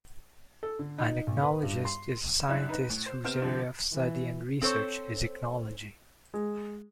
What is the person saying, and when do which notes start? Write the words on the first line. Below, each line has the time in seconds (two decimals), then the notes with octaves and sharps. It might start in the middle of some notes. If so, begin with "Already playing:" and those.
An ichnologist is a scientist whose area of study and research is ichnology.
0.63 A4
0.79 D3
0.98 D#4
1.27 B1
1.43 B4
1.63 G2
1.85 C6
2.47 C2 F#2 D4 E4 F#6
2.69 D#4 B4
2.90 A2
3.06 C5
3.24 C3 B3 C4 F6 G6 E7
3.42 D3 F3 G4
3.93 E3
4.61 C4 A4 C5 C#5
6.34 G#3